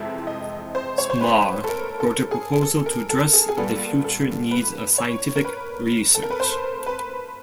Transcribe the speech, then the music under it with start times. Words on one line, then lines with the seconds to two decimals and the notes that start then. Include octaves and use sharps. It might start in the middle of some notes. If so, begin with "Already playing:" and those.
Smarr wrote a proposal to address the future needs of scientific research.
Already playing: F2 C3 E3 G#3 C4 E5
0.27 D#5
0.75 C5
0.98 C#5
1.10 C5
1.21 B4
1.64 A4
1.69 A#4
2.00 A4
2.31 G#4
2.62 A4
2.86 A#4
3.10 A4
3.33 G#4
3.49 G#4
3.57 A#2 G3 B3 A4
4.04 A4
4.51 B4
4.98 C#5
5.36 A#4
5.45 B4
6.15 A4
6.23 A#4
6.30 B4
6.40 C5
6.86 B4